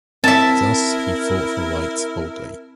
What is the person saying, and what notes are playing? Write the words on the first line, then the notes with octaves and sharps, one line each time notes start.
Thus he fought for rights boldly.
C4 E4 A#4 E5 A5